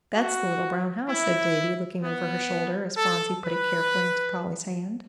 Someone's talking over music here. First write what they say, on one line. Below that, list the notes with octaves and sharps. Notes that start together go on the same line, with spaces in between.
"That's the little brown house," said Davie, looking over her shoulder as Phronsie put it carefully into Polly's hand.
F#4
E4
B3
A4
B4